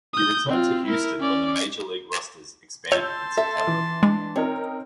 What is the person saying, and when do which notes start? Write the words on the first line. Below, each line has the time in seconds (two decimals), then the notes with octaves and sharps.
He returned to Houston when the major league rosters expanded in September.
0.14 D#6 G6
0.49 C4 F4
0.85 E4 A#4
1.19 C#4 D5
2.92 C#5 A5 C6 E6 G6
3.37 A4 E5
3.67 E3
4.03 G#3 D4
4.36 C4 D#4 A#4 C#5